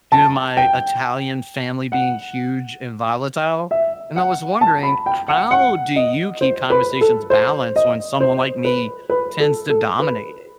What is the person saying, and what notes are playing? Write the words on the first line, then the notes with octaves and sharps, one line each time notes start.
due to my Italian family being huge and volatile. And I was wondering, how do you keep conversations balanced when someone like me tends to dominate it?
A5
G5
F#5
E5
F#5
A5
B5
G5
F#5
F#5
D#5
C5
B4
A4
C5
D#5
C5
B4
B4
A4
A4
B4